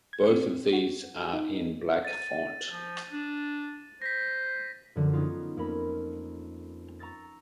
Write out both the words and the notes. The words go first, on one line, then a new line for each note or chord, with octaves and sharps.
Both of these are in black font.
G#6
C4
F#4
D#4
A6 D#7
F3
D4
C5 A#6 B6
F#2 D3 F3
B3 C#4 D#4 F4
F2 A#3 C#4 A#4 B5
A#5 C#6 E6 A6 A#6